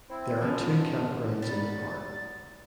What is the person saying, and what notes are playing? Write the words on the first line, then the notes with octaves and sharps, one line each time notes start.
There are two campgrounds in the park.
C4 E4 C5
G2 D3 F3 G#3 C#4 A5
F#3 G3 B3 A6